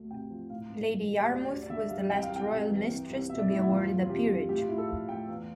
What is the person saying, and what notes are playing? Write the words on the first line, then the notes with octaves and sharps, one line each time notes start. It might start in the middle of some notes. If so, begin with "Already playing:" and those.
Lady Yarmouth was the last Royal mistress to be awarded a peerage.
Already playing: D2 A3
C3 G5
F3
A2 F5
A2
E3
G3
D2 D5
D2
D5
D3 E5
G3 F5
C2 G5
F5
C2
G5
C3
E3
C2
C2
B2 E5
D5
A3 E4
E4
E2 F4
E2
F4
C3 G4
G3
A2 G4
F4
A2 E4
A4
F3 F5
A3 G5
E2 F5